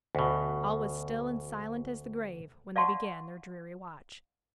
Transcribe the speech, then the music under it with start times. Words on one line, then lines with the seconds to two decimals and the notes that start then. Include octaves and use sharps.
All was still and silent as the grave when they began their dreary watch.
0.15 D2 B2
2.76 D5 F5 F#5 A5 C6 C#6